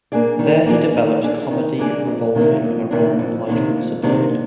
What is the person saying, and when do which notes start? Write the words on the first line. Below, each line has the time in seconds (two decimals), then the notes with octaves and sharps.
There, he developed comedy revolving around life in suburbia.
0.12 A#3 D4 G#4 D5
0.39 D#3
0.67 A#3 D4 G#4 D5
0.96 D#3
1.23 A#3 D4 G#4 D5
1.51 D#3
1.79 A#3 D4 G#4 D5
2.07 F2
2.35 C3 D#3 A#3 D4
2.64 F2
2.91 C3 D#3 A#3 D4
3.19 F2
3.47 C3 D#3 A#3 D4
3.76 F2
4.03 C3 D#3 A#3 D4